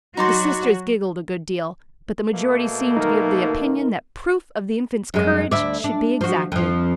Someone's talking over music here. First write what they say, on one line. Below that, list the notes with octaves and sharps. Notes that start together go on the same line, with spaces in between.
The Sisters giggled a good deal, but the majority seemed to be of the opinion that proof of the Infants' courage should be exacted.
F#3 D#4 F#4 D5 C6
B2 A3 A#3
D#4 A#4
F#2 G#3
D2 E4 D5
D4
F3 F#4
F2 F3